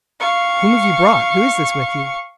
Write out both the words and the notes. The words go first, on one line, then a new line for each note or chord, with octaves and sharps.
Whom have you brought? Who is this with you?
F5 C#6